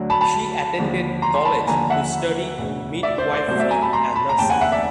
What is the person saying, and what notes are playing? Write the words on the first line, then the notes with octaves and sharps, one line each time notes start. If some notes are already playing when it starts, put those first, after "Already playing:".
She attended college to study midwifery and nursing.
Already playing: D2 D3 F#3
A5 B5
A5 B5
D#2 D3 F3 G#3
A#5 C6
C6
A5 B5
D#2 D3 F3 G#5 A#5
E5 F#5
E1 D2 C#3
D5 E5
C5 D5
C5 D5
C2 B2 F#3 A3 C5
D5 E5
G#5 A#5
A5 B5
A#5 C6
A5 B5
A#5
F1 D#2 C#3 G5 A5
F#5 G#5
E5 F#5
D5 E5